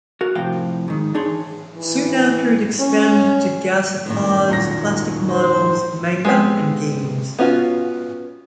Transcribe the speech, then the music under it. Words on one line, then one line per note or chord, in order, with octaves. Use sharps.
Soon after it expanded to Gashapons, plastic models, manga and games.
F#4 A#4
A2 C3 F3 C5 F5 G5
G#2 D#3
E3 D4 D#4 G#4 C#5 C6
E3
C#4
F#2 A2 D#3
D#1 F#3 A#6
C5
G#3 A3 B3 C4 G4
B3 C#4 F4 F#4